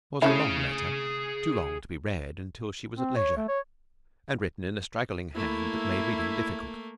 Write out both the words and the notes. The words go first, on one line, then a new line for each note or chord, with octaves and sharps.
It was a long letter, too long to be read until she was at leisure, and written in a straggling hand that made reading difficult.
A3 C#4 E4 G#4 F5
C4
C#5
A3
C#5
A3 A#3 E4